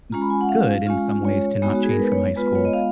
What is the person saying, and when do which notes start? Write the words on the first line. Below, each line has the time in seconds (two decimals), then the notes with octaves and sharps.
g good in some ways to not change from high school.
0.12 G#3 C#4 F4 A#5
0.21 B5
0.30 G#5
0.41 F#5
0.49 F5
0.86 G#3 C#4 F4
1.25 C#5
1.62 G#3 B3 D#4 F#4
1.75 F#4
1.84 G#4
1.90 A#4
2.00 B4
2.12 C#5
2.36 G#3 B3 F4 B4
2.46 B4
2.55 C#5
2.65 D#5
2.73 F5